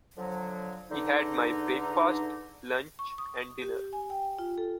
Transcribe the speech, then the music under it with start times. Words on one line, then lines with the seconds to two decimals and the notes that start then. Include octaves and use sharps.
He had my breakfast, lunch and dinner.
0.17 D3 F3 F#3
0.90 E2 D3 D#4
2.99 C#6
3.18 D#6
3.62 G4
3.93 G#5
4.10 G5
4.39 F4
4.58 A4